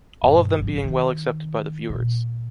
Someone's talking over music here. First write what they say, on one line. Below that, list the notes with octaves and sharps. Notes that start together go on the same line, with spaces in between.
All of them being well accepted by the viewers.
G2 B2
G#1 F3
D#3
A#2